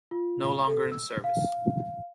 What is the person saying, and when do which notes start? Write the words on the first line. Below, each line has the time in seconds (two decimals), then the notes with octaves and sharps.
No longer in service.
0.11 F4
0.67 A4
0.92 E6
1.24 F5